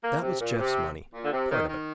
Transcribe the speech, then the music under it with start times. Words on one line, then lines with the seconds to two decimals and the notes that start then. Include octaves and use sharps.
That was Jeff's money--part of it.
0.04 A#3
0.22 C3
0.40 A#2
0.59 C3
1.14 A#2
1.24 D3
1.32 C3
1.50 D#3
1.69 D#3